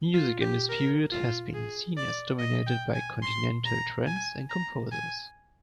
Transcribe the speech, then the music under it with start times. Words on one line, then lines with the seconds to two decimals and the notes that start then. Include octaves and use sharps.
Music in this period has been seen as dominated by continental trends and composers.
0.14 F4
0.41 G4
0.69 A#4
1.12 F4
1.54 G#4
1.97 D5
2.39 D#5
2.67 G5
2.94 G#5
3.23 C6
3.65 A#5
4.07 G#5
4.49 A#5
4.92 G#5